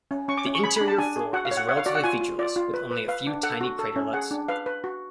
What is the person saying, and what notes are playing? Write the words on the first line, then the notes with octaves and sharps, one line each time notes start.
The interior floor is relatively featureless, with only a few tiny craterlets.
C#4
C#4 C#6
D6
C#4
C#6
G#4 B5
D4 B5
A5
D4 G#5
G#4
F#4 F#5
F5
C#5
F#5
C#5 F#5
F5
F#4 D5
F#5
F4 G#5
F4
F4 D5
F4
B4
B4
B4 F5
D4
A4 F#5
F#4
A4
C#4
G#4 F#5
D4
B4 F5
B4
F#4